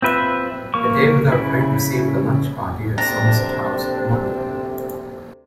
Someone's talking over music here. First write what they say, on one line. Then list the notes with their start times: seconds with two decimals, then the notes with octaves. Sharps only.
"A Day Without Rain" received a launch party at Somerset House, London.
0.02 C4 F4 B4 E5
0.74 A#3 C#6
1.32 C#3 E4
2.98 D2 C3 C4 D4 A#5